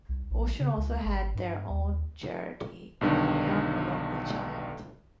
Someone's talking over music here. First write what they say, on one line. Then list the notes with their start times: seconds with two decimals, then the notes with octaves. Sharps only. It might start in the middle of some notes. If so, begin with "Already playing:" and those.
Ocean also had their own charity, Help a Local Child.
0.09 C2
0.30 A#1
0.59 C#3
0.77 C#2
1.05 G#1
1.35 G2
1.70 D#2
3.01 B1 G2 D3 D#3